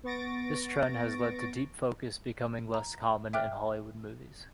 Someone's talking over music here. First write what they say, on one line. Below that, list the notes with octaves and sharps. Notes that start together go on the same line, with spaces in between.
This trend has led to deep focus becoming less common in Hollywood movies.
B3 C#6 A6 A#6 D7
A#5
E5 G5 D6 F6 F#6